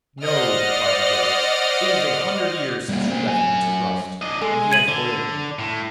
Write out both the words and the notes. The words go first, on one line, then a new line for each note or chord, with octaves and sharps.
'No,' replied the gate; 'it is a hundred years since you left me to rust, and he has oiled me.
C5 D5 D#5 F#5 F6
G3 A#3
A#3 C5
F#3 G#5
D4 D#5
G#3 A4
G#6 D#7 F#7
D3
A2